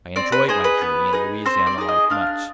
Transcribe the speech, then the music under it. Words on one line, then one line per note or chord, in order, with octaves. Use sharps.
I enjoy'd my journey and Louisiana life much.
C4 D5
B4
D#4 G#4 C5
B4
B3
D#4 G#4
C4 C5
D5
D#4 G#4
D#5
D4 F5